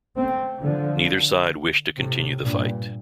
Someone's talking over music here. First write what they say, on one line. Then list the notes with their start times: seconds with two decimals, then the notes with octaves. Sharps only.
Neither side wished to continue the fight.
0.17 A3 C4
0.62 D3 F3
1.98 A2 C3
2.43 G2 A#2